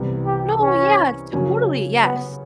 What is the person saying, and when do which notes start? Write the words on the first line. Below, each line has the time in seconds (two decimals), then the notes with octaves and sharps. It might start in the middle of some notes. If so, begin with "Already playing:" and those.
No, yeah, totally, yes.
Already playing: C2 C3 E3 G3 B3
0.26 G4
0.61 C#4
1.32 C#3 F#3 A#3 C#4 F#4
2.03 B3